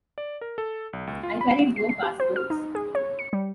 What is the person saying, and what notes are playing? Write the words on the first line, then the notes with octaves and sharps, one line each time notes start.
I carried no passports.
D5
A#4
A4
B1
C#2
F4
B5
C7
C7
G4
C5
F6
D#4
G#4
C#5
C#7
G3